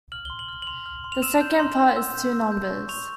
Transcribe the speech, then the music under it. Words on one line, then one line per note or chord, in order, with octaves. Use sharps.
The second part is two numbers.
F6 F#7
C6 G7
F#7
F6
F#7
C6 F7
F6
C6
F7
E6 E7
G6
C6
C6
E6
G6
E6
G6
C#6
C#6 F7